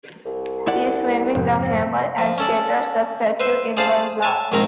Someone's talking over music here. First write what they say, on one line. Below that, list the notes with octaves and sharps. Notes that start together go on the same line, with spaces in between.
He swings the hammer and shatters the statue in one blast.
C2
E4 D5 F#5
C2 F2 G#2 C3
C4
F3
C#4 A4 D5
B4 C5 E5
G#4 C5 D5 F5 A5
C#5 E5 G#5 A5
A#1 G#2 D#3 C4 A#4 A#5